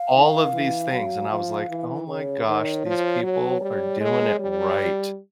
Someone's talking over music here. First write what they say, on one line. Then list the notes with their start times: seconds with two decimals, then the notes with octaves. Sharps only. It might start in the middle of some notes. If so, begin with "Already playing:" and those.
all of these things, and I was like, "Oh my gosh, these people are doing it right."
Already playing: F5
0.14 D#3
0.53 E3
0.92 F#3
1.30 F3
1.70 E3
2.07 C#3 C#5
2.46 D#3
2.86 F3
3.23 F#3
3.62 G3
4.00 G#3
4.40 G3